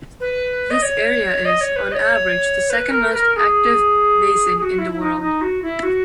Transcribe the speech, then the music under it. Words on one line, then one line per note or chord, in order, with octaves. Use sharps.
This area is, on average, the second-most active basin in the world.
B4
D#5
C#5
D#5
C#5
B4
D#5
C#5
B4
A#4
B4
A#4
A#4
G#4
G#4
F#4
E4
E4
D#4
D#4
F#4
E4
F#4